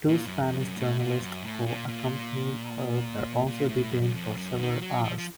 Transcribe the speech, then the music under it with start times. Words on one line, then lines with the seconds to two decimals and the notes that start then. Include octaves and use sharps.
Two Spanish journalists who had accompanied her were also detained for several hours.
0.08 A#2
0.26 F#2
0.43 F2
0.60 F#2
0.76 A2
0.99 A#2
1.21 F#2
1.43 A2
1.66 A#2
1.88 A#2
3.47 A#2
3.69 A2
3.91 F#2
4.02 F#2
4.14 F2
4.37 F#2
4.58 D#3
4.81 F#3
5.03 F3
5.18 F3